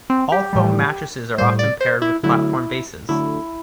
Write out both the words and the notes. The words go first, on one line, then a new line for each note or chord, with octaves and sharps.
All-foam mattresses are often paired with platform bases.
C4
G4
A2 E3 G3
A2 G3 C5
D5
C5
E4
D3 F#3 A3 E4
D3 F#3 A3 E4